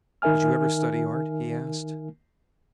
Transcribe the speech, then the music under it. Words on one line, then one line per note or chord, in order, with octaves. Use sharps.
"Did you ever study art?" he asked.
D#3 D#4 A#4 E5 G#5 F6